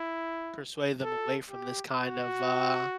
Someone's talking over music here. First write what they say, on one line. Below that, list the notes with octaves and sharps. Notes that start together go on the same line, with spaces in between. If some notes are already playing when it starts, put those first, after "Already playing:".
Persuade them away from this kind of, uh
Already playing: E4
A4
G4
F#4